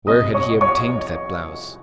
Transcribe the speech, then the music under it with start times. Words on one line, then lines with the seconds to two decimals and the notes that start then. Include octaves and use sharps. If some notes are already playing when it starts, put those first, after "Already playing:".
Where had he obtained that blouse?
0.07 C2 B2 D#5 D#6
0.34 C#5 C#6
0.61 C#5 C#6